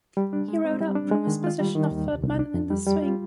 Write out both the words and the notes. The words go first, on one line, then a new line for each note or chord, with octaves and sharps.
He rode up from his position of third man in the swing.
G3
D4
G#3
C4
G3
D4
G#3
D#3
F4
G3
D#3
D#2
C2
C2
D4
F2
G3
G3
F4